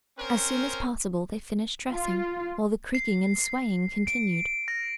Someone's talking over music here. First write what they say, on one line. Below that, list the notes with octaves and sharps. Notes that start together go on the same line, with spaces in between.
As soon as possible they finished dressing, while the creaking and swaying continued.
C4 C#4 A#4 C5
F4
C7
D7
A#6